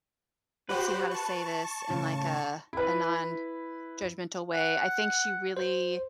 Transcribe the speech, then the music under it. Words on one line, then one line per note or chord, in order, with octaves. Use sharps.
let's see how to say this in, like, a a nonjudgmental way. I think she really,
F#4 G4 B4 C5
A5 C#6
A2 C#3
E4 B4
F#5
C5